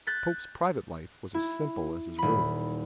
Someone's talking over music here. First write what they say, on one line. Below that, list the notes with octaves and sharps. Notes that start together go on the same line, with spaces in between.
The Pope's private life was as simple as His room.
F#6 G6 A6 B6
E4
D#1 B5